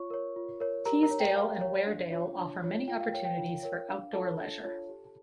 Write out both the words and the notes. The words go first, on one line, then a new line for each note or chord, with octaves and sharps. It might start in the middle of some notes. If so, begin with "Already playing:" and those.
Teesdale and Weardale offer many opportunities for outdoor leisure.
Already playing: F4 C#5 C#6
A#4 C#5
F4
A#4 C#5
G4 A#4 A#5
A#4 A#5
C#5
G5
G4 F5
C#5
D4
F4 C#5
D4
F4 C#5
F4 G5
F5
A#4 C#5 G5
G5
F4
A#4 C#5
D4 F5
F4 A4 C#5 A5
D4
F4 C#5
G4